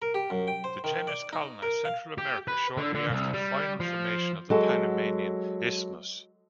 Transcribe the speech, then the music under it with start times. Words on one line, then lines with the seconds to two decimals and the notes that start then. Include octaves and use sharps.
The genus colonized Central America shortly after the final formation of the Panamanian Isthmus.
0.02 A#4
0.14 G4
0.30 F#2
0.48 G5
0.64 C5
0.84 D#3
1.07 D5
1.33 D#4
1.62 A#4
1.85 F5
2.18 G4
2.48 B4
2.77 D3
2.95 D3
3.10 C2
3.33 G3
3.80 F3
4.50 F#3 G#3 A4